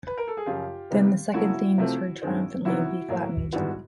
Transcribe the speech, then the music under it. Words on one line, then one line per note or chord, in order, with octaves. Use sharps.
Then the second theme is heard triumphantly in B-flat major.
B4
A#4
A4
G#4
F#2 C#3 F3 F4 G4
C3 D#3 G3 B3
C#3 F#3 A3 E4 F#4
C3 F3 A3 C4
G2 D#3 G#3 C4
C3 D#3 F#3 B3 E4 F#4
A2 F#3 A#3
G#2 D#3 G3 B3 E4 F#4